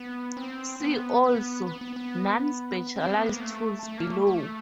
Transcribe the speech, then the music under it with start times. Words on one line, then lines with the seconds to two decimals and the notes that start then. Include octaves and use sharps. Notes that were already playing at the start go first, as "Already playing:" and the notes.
See also "non-specialised tools" below.
Already playing: B3
0.37 C4
0.80 B3
1.24 B3
1.67 B3
1.81 B3
1.96 B3
2.96 C4
3.11 B3
3.26 A#3
3.40 A3
3.83 A3
3.98 A#3
4.12 A3
4.27 A3